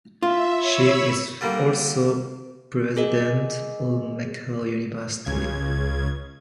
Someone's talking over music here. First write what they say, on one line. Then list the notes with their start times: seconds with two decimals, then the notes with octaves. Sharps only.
She is also President of Mekelle University.
0.23 F4 E5
0.55 C#5 B5 E6
1.41 D3 G3 A#3
2.97 G#4 A#4 D#5
5.25 C#2 C#3 G#6